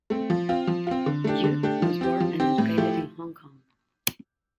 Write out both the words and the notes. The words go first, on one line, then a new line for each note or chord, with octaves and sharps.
Yiu was born and educated in Hong Kong.
A3 C4
F3
C4 F4
F3
C4 F4
D3
A3 D4 G4
D3
A3 D4 G4
F3
C4 G4
F3
C4 G4
A2
F3 A3 E4 G4